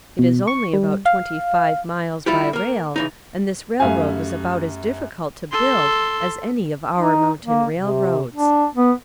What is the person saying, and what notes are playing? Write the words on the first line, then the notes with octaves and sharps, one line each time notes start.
It is only about twenty-five miles by rail and this railroad was about as difficult to build as any of our mountain railroads.
B2
C#6
G3
F5
G3 E4 F4 G4
A#3 A#4
C#3 E3 D#4
F#2 G3 A3 E5 F5 G#5
A4 C6
D#4
A#3
C3
D4
B3